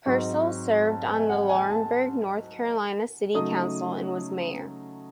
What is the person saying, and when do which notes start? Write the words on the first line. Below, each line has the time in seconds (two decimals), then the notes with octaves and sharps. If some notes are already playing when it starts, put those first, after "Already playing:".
Purcell served on the Laurinburg, North Carolina city council and was mayor.
0.06 G#2 F#3 C4 D#4 C#6
0.89 A5
1.08 G#5
1.29 F#5
1.49 G#5
1.70 A5
3.34 C#3 F#3 A3 D#4 D#6